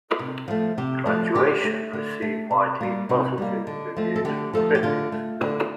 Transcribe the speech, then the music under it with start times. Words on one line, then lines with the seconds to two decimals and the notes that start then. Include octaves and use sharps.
"Graduation" received widely positive reviews from critics.
0.19 C3
0.48 F3 A3
0.78 C3 G4
1.06 F3 A3
1.35 D3 G4
1.64 A3
1.93 D3
2.22 A3
2.51 C3
2.81 G3 A#3
3.09 C3 D#4
3.38 G3 A#3
3.67 D3
3.96 F3 A3
4.16 A4
4.25 D3 G4
4.53 F3 A3 A4
4.75 G4
4.83 D3 F4
5.12 A3
5.41 D3